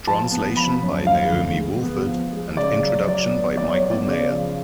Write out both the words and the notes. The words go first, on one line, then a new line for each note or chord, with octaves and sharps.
Translation by Naomi Walford and introduction by Michael Meyer.
F3 A5
B3
F3 B5
F#2
F3 F5
D2
G#3
B3
F3
G#3
C#3 D5
F#3
F#3 D5
B3
F#3 D5
C#5
B3
D5
C#3
F3